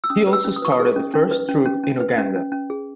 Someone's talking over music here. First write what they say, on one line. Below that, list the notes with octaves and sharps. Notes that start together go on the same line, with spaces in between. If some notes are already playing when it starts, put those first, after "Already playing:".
He also started the first troop in Uganda.
E6
C#4 D#6
B4
E6
C#4
D#6
B4 C#6
D#6
G#4
C#4
C#4
B4
C#4
C#4
C#4
B4
C#4
C#4
C#4
G#4